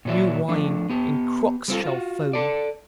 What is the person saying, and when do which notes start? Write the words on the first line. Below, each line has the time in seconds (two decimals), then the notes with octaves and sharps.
New wine, in crocks Shall foam!
0.05 A#2 E3 F#3 D5 E5
0.48 F3 A3 D4
0.90 B3 G4
1.68 G3 C4 F4 A4
1.84 F4 F#4
2.33 A4 D5